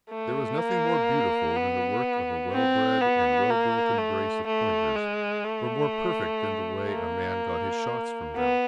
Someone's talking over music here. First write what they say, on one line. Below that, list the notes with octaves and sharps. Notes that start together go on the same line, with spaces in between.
There was nothing more beautiful than the work of a well-bred and well-broken brace of Pointers, or more perfect than the way a man got his shots from them.
A3
A#3
B3
C4
B3
A#3
A3
A3
G#3
A3
A#3
B3